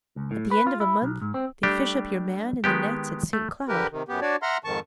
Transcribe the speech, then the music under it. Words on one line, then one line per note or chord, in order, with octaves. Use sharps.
At the end of a month they fish up your man in the nets at Saint-Cloud.
C#2
A2
B4
F4
E4
B1
G#2
C4
G3 A3 D4 G4
D#3 G#3 B3 G4
A3
D3 G4 A#4 B4
C3 D#3
F#2 B3 G4
D4 F#4 C#5 D5
E5 F#5 A#5 C6 F6
F2 G#2 D#3 A5 C#6